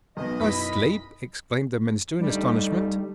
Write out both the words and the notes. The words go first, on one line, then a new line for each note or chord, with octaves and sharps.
'Asleep!' exclaimed the minister in astonishment.
B1 B2 D#5
F#2 E4 B5
D3 G3 A3 D#4